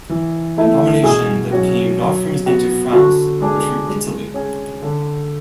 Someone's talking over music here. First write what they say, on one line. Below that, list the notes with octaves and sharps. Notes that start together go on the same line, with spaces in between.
A nomination that came not from his native France but from Italy.
E3
A3 E4
B2 G#4
F#3 C#4 F#4
F#3
B3 F#4
D3 F#4
G#3 D4 G#4
G#3
C#4 G#4
D3